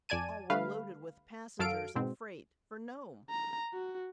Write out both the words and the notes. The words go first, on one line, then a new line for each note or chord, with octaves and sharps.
All were loaded with passengers and freight for Nome.
F2 D5 G#5 A5 D#7
D3 G3 A3 B4 F5
F#2 F#3 A4 F5 D7
G#2 B2 C4
A#5
F#4